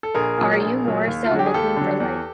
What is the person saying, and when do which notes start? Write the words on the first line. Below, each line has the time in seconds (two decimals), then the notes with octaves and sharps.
are you more so looking for, like,
0.03 A4
0.15 A#1 G#4 A#4
0.38 A#2 F#3
0.61 A#1
0.84 A#2 F#3
1.07 D#2
1.24 F4
1.31 D3 F#4
1.35 F#3 G4
1.46 G#4
1.53 D#2 G4 A4
1.76 D3 F#3
2.00 E2